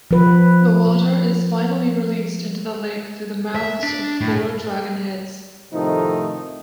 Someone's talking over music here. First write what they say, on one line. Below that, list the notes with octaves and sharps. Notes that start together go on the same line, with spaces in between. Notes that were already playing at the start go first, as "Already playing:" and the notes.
The water is finally released into the lake through the mouths of four dragonheads.
F3 B4
E5
D4
A2
A2 C3 D#3 F3 A3 D#4